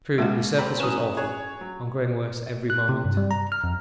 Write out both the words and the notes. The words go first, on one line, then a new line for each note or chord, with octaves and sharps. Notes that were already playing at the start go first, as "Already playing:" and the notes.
True, the surface was awful and growing worse every moment.
C#2 B2 G#3 A#3
C4 G4 A4 A#5 B5
E3 F#3 C#4 B4 D#6 E7
G#4 C#5 A#5 F#6
F#3
F#6
C3
G2
G3
A#5
F6
F2